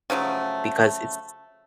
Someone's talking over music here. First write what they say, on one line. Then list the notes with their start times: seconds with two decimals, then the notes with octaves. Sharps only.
because it's
0.10 C#3 F3 F#3 A3